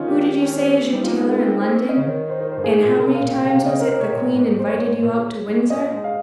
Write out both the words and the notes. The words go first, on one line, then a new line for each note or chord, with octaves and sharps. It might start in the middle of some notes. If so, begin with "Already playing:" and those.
Who did you say is your tailor in London, and how many times was it the Queen invited you out to Windsor?
Already playing: D#3 C4 C#4 D#4 F4
G4
G4
C#4
C4
G3 D#4
F4
A#3
G#3 D#4
A#4
C4
C4 C5
C#4
D#5
C#3 C#5
D#3
C5
A#4
C5
G2
G#4
G#2
A#2
C3 A#4
F5
A#2
G5
C3
F5
C3
C#3 D#5
A#4
C3 C5
C#5
A#2
G#2
C5
C#5
G2
G#2
A#2
G#2
A#2 D#5
A#2
G#2
F5